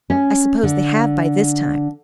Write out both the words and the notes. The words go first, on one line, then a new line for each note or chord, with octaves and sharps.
"I suppose they have by this time."
C#4
D3